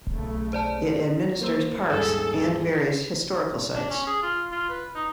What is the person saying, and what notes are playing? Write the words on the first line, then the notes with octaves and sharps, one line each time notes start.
It administers parks and various historical sites.
B1 C#3 A3
C5 D5 A5
A#3 C5 E6
D#1 G#1 G#4 A4
D4
C#4
G#4
F4
F4
B4
D#4